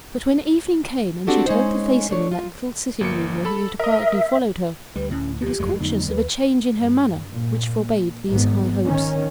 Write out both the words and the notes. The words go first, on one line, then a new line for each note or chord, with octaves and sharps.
But when evening came and she turned to face him in that little sitting-room where he had quietly followed her, he was conscious of a change in her manner which forbade these high hopes.
C4 D4 F#4 G4 A4
G#3 C#4 D#4 C5
A3 D4 C#5
F4
G1 A#3 C#7
A4 B5
A#4 D#5 E5
D2 G3 B4
A2 C#4
B2 F3 G4
G1 F2 F#3 G#3 A3
F2 D3 B3 D#4
D#2 B4
G2
A#2
G#1 G#2 B3
D#3 C#4